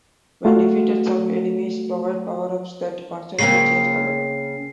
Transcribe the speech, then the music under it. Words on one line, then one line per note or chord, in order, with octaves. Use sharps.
When defeated, some enemies provide power-ups that constantly change colour.
A3 F4 F#4
C#3 A#3 C4 C7